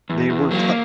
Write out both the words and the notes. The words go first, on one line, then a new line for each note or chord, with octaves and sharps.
They were, tu
E2
E2
F#3 A#3